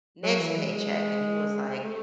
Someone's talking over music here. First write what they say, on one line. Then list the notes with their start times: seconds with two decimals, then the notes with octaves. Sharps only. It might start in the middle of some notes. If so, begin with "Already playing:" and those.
next paycheck.” And he was like,
0.23 F#3
0.40 E3
0.59 G#3
1.82 A3